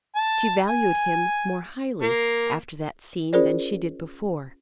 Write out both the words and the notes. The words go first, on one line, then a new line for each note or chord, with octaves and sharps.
She valued him more highly after that scene than she did before.
A5
G#5
A#3
C#4 F4 G#4 A#4 C5 D5